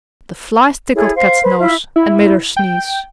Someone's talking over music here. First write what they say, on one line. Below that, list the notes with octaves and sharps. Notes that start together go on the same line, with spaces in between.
The flies tickled Kat's nose and made her sneeze.
E4 G#4 A4 C#5
C5 F5
B4 C5
E4 F4 E5
E4
G5